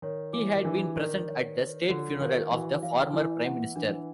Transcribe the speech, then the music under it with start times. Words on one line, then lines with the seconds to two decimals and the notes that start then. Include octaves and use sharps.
He had been present at the state funeral of the former Prime Minister.
0.02 D#3 C#5
0.33 E3 D6
0.56 D#3
0.64 E3 D4
0.96 D#3 D5
1.28 C#5
1.59 C#5
1.89 D3 F4
2.20 D#3 F5
2.51 E3 F#4
2.83 E3 F5
3.13 E3 E4
3.45 F#5
3.76 E3 D4
3.91 E3